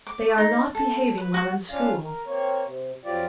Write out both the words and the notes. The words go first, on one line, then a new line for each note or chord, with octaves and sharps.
"They are not behaving well in school."
D6
D#4
A4
B4
F#4
C#4 D4 F4 F5
A#4
A#3 C4 C#5
C3
F2 F#3 C4 F4 G4 D5